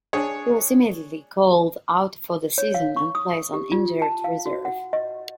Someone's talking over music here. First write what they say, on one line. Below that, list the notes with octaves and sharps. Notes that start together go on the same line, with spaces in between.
He was immediately called out for the season and placed on injured reserve.
D4 G#4 C#5
C#5
F5
C#6
D#6
G4
F4
A5
F5
F#4
F#5
D#5